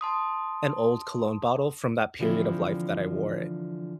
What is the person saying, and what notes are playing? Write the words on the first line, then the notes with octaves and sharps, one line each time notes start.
an old cologne bottle from that period of life that I wore it.
A5 C6 D#6
D3 E3 F3 C4 E4